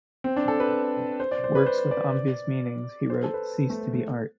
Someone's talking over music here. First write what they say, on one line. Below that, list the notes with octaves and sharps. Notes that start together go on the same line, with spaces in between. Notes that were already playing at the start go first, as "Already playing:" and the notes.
Works with obvious meanings, he wrote, cease to be art.
C4
D4
A4
B4
C5
D5
C5
B4
C5
D5
C5
A4
B4
A3
B3
A3